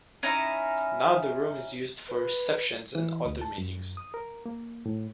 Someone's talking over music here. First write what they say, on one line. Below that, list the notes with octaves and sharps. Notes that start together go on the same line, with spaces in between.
Now the room is used for receptions and other meetings.
C#4 D#4 E4
B4
E3
D2
A5
F#2
D#6
A#4
A#3
A2